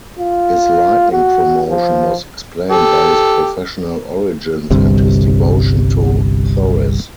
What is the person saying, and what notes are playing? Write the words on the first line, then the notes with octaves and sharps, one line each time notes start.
His lightning promotion was explained by his professional origins and his devotion to Thorez.
F4
F#4
F3
G4 A4
G1 C2 G2 C3